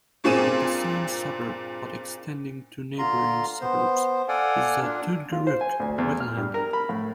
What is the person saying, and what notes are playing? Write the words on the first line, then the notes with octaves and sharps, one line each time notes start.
In the same suburb, but extending to neighbouring suburbs, is the Tootgarook Wetland.
G2 A#2 C4 G#4 D#7 E7
D3 F4 A#5 C6
B3 C5
A4 D5 F5 F#5 G#5
A#2 D4
F4
C5
G#5
D2
E2
F6
G2
A#4
B5
A2